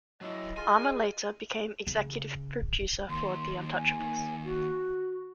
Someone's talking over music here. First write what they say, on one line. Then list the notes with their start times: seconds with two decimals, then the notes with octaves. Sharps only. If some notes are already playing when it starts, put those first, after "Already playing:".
Armer later became executive producer for "The Untouchables".
0.21 F#3 E4 D#5
0.57 F4 G#4 G#5
1.87 C#3
3.09 D#2 D#3 C6
3.74 G#5
4.44 F#4